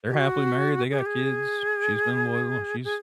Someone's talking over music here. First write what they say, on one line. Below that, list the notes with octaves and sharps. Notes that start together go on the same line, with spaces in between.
they're happily married, they got kids, she's been loyal, she's
G4
F#4
G#4
G4
G#4
G#4